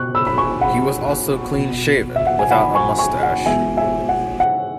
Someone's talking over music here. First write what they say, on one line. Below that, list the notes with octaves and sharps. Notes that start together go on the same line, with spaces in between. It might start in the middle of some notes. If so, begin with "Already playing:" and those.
He was also clean shaven, without a moustache.
Already playing: B2 B3 C#6 F#6
B5 E6
B5
G#5 C#6
F#5 B5
B2 B3
E5
F#5
G#5
F#5 B5
G#5 C#6
G#5 C#6
F#5
E3 G#3 B3 E5 G#5
E5 G#5
F#5
F#5